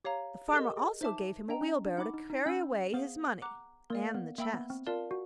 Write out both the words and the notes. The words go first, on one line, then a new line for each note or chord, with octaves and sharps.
The farmer also gave him a wheelbarrow to carry away his money and the chest.
G4 C#5 F5 A#5
G#4
G4 A4 A#4 D#5
G#4
D#4 C5 E5 A5 D6
D4 D#5 G5 A#5
C#4
D4
D#4 F#5 B5 D6
D#4
D#4
C#4 F#5 B5 E6 G6
B3 G#4 C5 F5
F#5 A#5 D6 F#6
A#3 A#4 D5 F5
B3
A#3 E5 G5 B5 E6
B3
C4
F4 A#4 D5 F5 A5
F#4